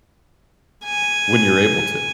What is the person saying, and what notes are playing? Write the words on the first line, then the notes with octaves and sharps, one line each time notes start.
When you're able to.
G#5